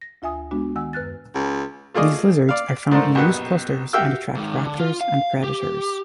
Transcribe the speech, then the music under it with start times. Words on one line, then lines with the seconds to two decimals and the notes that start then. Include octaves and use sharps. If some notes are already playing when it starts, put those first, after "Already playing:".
These lizards are found in loose clusters and attract raptors and predators.
0.01 A#6
0.22 D2 F4 E5 G#5 D#6
0.51 G#3 B3 D4 F#4
0.76 D#3 F#5 G#5 E6
0.93 F#2 B4 F6 F#6 A6
1.35 C#2
1.94 A3 F4 G#4 D5 D#5
2.49 D5 F5
2.91 G#2 A3 D4 A#4 C5
3.15 A#1 F#2 B2 G4 B4 F#5
3.93 F#4 G4 E5 F5 G5 E6
4.36 G#2 D#3
4.64 D3
4.79 F4
5.01 F5
5.44 G4